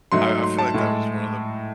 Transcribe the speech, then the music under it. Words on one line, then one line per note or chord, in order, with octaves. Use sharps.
I I feel like that was one of the
G#2 F#3 A3 C6
C6
A5
A2 G#3